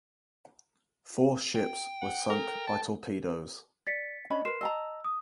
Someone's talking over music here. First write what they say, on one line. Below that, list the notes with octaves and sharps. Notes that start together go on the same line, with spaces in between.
Four ships were sunk by torpedoes.
G5
F#5
A4 A#4
A5
D5 A6 B6 C#7
C#4 D4 D#5 B5
A#4 B4 C6 C7 E7
D#5 A5 A#5 E6
D#6